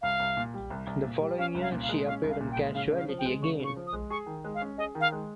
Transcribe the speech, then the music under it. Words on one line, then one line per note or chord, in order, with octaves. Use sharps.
The following year, she appeared on "Casualty" again.
C2 F5
C2
A#2
G3
C2
C2
A#2
G3
C#4 F5
C2
F5
A#2
F5
G#3
C#4 F5
C2
F5
A#2
G5
G#3
C#3 F5
C#3
F5
F3
G5
G#3
C#3 C#6
C#3 C#6
F3
D#6
G#3
G#4 C#6
D#3
G#3
F5
C#4
G#4 D#5
D#3
F5
G#3